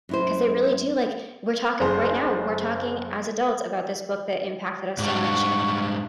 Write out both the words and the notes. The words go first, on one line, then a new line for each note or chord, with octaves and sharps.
'cause they really do, like we're talking right now, we're talking as adults about this book that impacted us so much
F#2 E4 C5
F#1 G#4 C5
G#2 G3 F#5 C#6